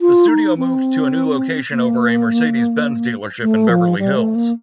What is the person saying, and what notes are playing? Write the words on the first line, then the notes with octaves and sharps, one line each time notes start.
The studio moved to a new location over a Mercedes-Benz dealership in Beverly Hills.
F4
D#4
C4
A#3
A3
F3
G3
A3
A#3